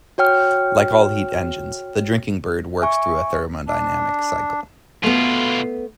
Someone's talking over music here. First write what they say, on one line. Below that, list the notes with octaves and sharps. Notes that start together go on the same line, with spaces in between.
Like all heat engines, the drinking bird works through a thermodynamic cycle.
F#4 C#5 G5 F6
E5 G#5 C#6
D4
B2 A3 B3 F4